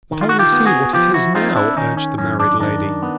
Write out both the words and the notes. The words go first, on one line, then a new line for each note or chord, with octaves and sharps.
'But only see what it is now,' urged the married lady.
D#3
F4
F#4
F4 G4
B3
F#4 G#4
F3 F4 G4
E4 F#4
C4 D#4 F4
D4 E4
D#3 C#4 D#4
C#4
F#2 C#4
D4
D#3 D4
B3